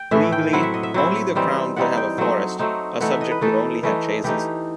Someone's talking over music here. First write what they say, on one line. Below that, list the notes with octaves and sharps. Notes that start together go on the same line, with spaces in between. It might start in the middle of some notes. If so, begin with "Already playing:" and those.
Legally, only the crown could have a forest, a subject could only have chases.
Already playing: G5
A2 E3 A3 E5
G5
F#3 C4 E4 F#5
E5
D#5
E5
F#3 C4 E4
E3 G3 C4 D#4
E3 G3 C4 D#4 F#5
G5
F#3 A3 C4 D#4
F#3 A3 C4 D#4
E3 A3 D#4 F#5
E5
D#5
B4
E3 A3 D#4 A4
E3 A3 D#4
E3 A3 D#4 G4